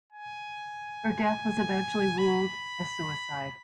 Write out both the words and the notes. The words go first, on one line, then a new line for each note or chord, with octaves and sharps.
Her death was eventually ruled a suicide.
G#5
B5